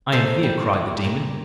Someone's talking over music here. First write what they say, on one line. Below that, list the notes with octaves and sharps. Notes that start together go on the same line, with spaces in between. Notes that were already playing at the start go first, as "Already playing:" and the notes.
"I am here!" cried the demon.
A#2 A4 C5
G3
G3
A#2